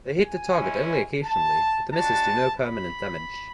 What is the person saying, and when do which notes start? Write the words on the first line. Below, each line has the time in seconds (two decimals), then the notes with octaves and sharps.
They hit the target only occasionally but the misses do no permanent damage.
0.21 G#5
0.55 G#3 C#4 E4
1.24 A5
1.91 G#3 D4 F#4 A5
2.59 B5